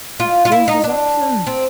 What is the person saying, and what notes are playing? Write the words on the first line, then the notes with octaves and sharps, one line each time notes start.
His cruise is up soon!
F4
F4
E4
D#4
D4
C4